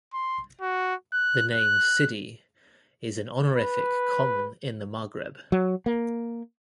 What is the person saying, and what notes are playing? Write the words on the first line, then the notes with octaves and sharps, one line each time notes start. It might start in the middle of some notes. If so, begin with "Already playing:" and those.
The name "Sidi" is an honorific common in the Maghreb.
C6
F#4
F#6
F#6
B4
F#3
A#3